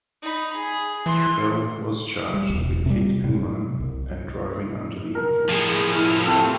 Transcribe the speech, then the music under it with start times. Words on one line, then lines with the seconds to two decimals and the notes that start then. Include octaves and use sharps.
Bell was charged with hit and run and driving under the influence.
0.22 D#4 B5
0.56 G#4
1.06 E3 C6
2.34 G3
2.49 E1 C2
2.86 C3 G3
3.24 F#2 C3
3.80 C2
5.15 A#4
5.49 A2 F3 G#4
5.92 E4 F6
6.26 A3 C4 G4 A4